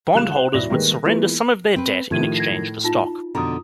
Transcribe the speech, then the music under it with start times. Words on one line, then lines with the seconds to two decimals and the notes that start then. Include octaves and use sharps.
Bondholders would surrender some of their debt in exchange for stock.
0.15 C#2 G3 F5 F#6 E7
0.32 C5 F#5
0.53 D#1 E4 F#4 D5 A#6
0.70 D#3 G3 G#3 A#3 G#4 B4
1.05 E3 G#3 A#3 B3 F4 B4
1.76 C4 B4
2.11 A2 D#3 F3 E4 G4 G#6 D#7
2.36 G#6 A#6 C7
2.84 D#4 F4 A5
3.35 F2 B2 D3 A#5 D#6